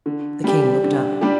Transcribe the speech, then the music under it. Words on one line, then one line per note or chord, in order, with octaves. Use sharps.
The king looked up.
D3
G3 D4 G4
D3
G3 D4 G4